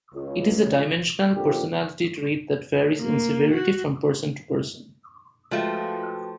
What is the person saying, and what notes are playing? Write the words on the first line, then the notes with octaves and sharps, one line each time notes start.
It is a dimensional personality trait that varies in severity from person to person.
C#2
A#1 F2 D3 G4
A#3
F#4
F3 G#3 A3 F4 F#4 B4 G5